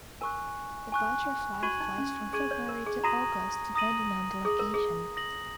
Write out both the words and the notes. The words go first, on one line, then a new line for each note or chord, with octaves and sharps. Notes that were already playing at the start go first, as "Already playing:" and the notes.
The butterfly flies from February to August depending on the location.
A#4 G#5 C#6 F#6
G#5 C#6 F#6
F#4 C#6 G#6 D#7 F#7
D#4
C#4
G#4 C#6 G#6 D#7 F#7
C#5
A#4
G#4
F#4 A#5 D#6 A#6 D#7 F#7
A#5 D#6 A#6 D#7 F#7
G#4 D#6 A#6 F#7
A#4
G#4
D#6 A#6 F#7